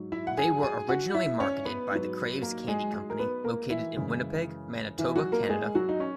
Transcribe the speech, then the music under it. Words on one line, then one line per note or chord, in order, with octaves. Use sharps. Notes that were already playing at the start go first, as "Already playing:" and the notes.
They were originally marketed by the Kraves Candy Company, located in Winnipeg, Manitoba, Canada.
Already playing: G#2 F#3
E4 E5
F#5
G#4 G#5
G#4 G#5
F#4 F#5
E4 E5
C#4 C#5
B3 B4
G#2 F#3
A#3 A#4
G#3 G#4
G#3 G#4
A#4
B3 B4
A#3 A#4
E3 E4
F#2 C#3 E3 G#3
E3 E4
F#3 F#4
A#3 A#4
G#3 G#4
F#3 F#4
D#4
C#4